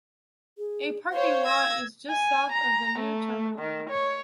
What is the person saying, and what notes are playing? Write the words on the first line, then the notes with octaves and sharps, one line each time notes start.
A parking lot is just south of the new terminal.
G#4
C5 C#5 F5
E6 G#6 A#6
G#5
A#5
A3
D#3
C#5